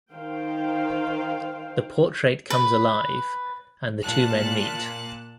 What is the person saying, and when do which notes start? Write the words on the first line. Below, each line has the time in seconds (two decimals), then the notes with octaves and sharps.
The portrait comes alive and the two men meet.
0.12 D#3 C5 F5 G5
2.50 B4
4.03 A#2 A5 F#6